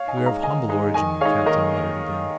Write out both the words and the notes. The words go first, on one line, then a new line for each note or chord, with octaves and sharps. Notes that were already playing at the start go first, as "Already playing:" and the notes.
"We are of humble origin," the captain muttered again.
Already playing: C#5 F5
D#5 G#5
G#3 D#4
F5 A#5
D#3 D#5 G#5
G#3 D#4
D#3 D#5 G#5
G#3 D#4 C#5 F5
D#3 A#4 D#5